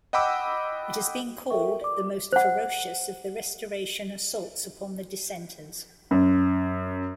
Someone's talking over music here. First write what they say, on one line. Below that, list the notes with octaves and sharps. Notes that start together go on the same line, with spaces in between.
It has been called "the most ferocious of the Restoration assaults upon the dissenters".
D#5 F#5 G5 B5 D6 E6
A4 A#4 E5 G5 C#6
D5 D6
C5 F#5
F#2